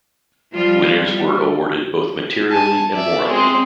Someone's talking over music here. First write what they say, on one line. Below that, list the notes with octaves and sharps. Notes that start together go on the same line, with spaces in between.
Winners were awarded both materially and morally.
F3 G3 F4
G3
G#5 A5
D5 E5
G#3 C4